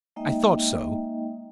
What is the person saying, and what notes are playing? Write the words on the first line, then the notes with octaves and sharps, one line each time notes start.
I thought so.
G#3 A#3 D#4 D#5 E5 G5